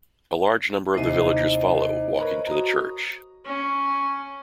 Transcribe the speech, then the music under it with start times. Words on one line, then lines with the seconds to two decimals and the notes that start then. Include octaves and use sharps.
A large number of the villagers follow walking to the Church.
0.94 D#2 C3 D#4 E4 C5 D#5
2.20 A#4 B4 C#5
2.47 F#4 A#5 D#6
3.45 C#4